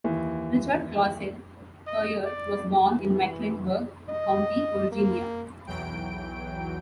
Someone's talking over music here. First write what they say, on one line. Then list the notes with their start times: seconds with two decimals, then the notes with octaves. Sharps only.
Richard Clauselle Puryear was born in Mecklenburg County, Virginia.
0.04 D#2 E3
1.87 D#5
2.25 D5
2.96 E3
4.09 D#5
4.92 A#3
5.67 B1 E2 E3 F#3 G5 D7